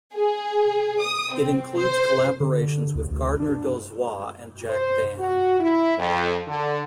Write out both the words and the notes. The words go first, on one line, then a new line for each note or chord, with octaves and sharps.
It includes collaborations with Gardner Dozois and Jack Dann.
G#4
D#6
C4
C5
D3
D2
D2
D4
C5
F#4
E4
F2
D3